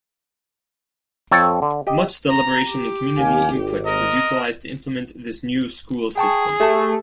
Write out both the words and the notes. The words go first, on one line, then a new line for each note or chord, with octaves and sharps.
Much deliberation and community input was utilized to implement this new school system.
F2 A4 C#5 G5
D3
G4 D#5
A#5
G4
D#2 F5 G#5
G#1
A#4 D#5
G#4 G5 A5 C#6
A3 G4 A5